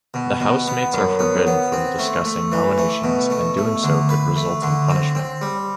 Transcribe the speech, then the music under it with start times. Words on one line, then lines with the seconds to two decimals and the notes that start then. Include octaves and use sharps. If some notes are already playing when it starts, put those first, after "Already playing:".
The housemates are forbidden from discussing nominations, and doing so could result in punishment.
0.14 B2
0.40 B2
0.67 B3
0.93 F#2
1.19 B3
1.47 B3
1.72 C4
1.99 A3
2.25 A3
2.52 E3
2.78 A3
3.04 B2
3.30 A3
3.57 A3
3.83 D3
4.09 B4
4.36 A3
4.62 D3
4.89 C4
5.15 C4
5.41 G3